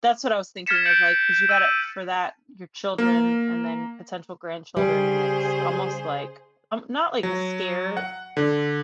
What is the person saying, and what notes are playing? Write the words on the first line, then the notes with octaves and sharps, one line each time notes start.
That's what I was thinking of, like, 'cause you gotta for that, your children and then potential grandchildren, and it's almost like, um not like the scare,
F6 G#6 A6 B6 C#7 E7
G6 C#7 D7 F#7
E6 D#7
A#3
C#3 G3 G#4 C5
F#3
F#5
D3